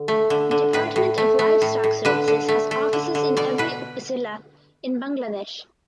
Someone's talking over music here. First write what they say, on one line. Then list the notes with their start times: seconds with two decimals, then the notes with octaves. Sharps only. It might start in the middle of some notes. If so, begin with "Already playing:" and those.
Department of Livestock Services has offices in every upazila in Bangladesh.
Already playing: D3
0.08 A3
0.30 D3
0.51 D3
0.73 A2 B4
0.96 A2
1.18 A3
1.39 A3
1.62 A2
1.84 A2
2.05 D3 B4
2.28 D3
2.48 A3
2.71 A3
2.93 D3
3.15 D3
3.37 B2 D5
3.58 B2 B4